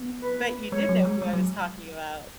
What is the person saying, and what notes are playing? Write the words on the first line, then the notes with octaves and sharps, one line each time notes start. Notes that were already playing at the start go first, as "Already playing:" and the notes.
but you did know who I was talking about.
Already playing: B3
B4
G#3 C#5
F#3
G#3
G#3
F#3